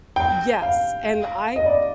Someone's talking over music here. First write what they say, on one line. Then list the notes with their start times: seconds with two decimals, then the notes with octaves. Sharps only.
Yes, and I
0.16 G5
0.62 F5
1.56 D#5
1.66 D5